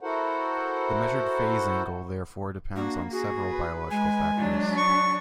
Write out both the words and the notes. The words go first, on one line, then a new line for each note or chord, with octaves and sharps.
The measured phase angle therefore depends on several biological factors.
E4 F#4 A4 A#4 C5 F#5
A#3 D4 F#4
F#4 G#4
B4
G#3 G#5
F#3 D4
C#6